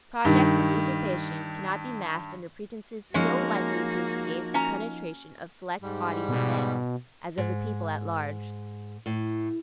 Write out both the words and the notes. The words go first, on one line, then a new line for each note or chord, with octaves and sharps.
Projects of usurpation cannot be masked under pretenses so likely to escape the penetration of select bodies of men, as of the people at large.
G2 D#3
F3 G#3 A#3 C#4 D#4 F#4
C#4 A#5
G#2 G3
B2
G#2
A2